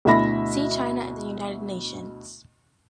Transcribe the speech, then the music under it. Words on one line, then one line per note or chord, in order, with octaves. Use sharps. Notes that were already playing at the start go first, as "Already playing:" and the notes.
See China and the United Nations.
D2 B2 E4 E5 B5 A#6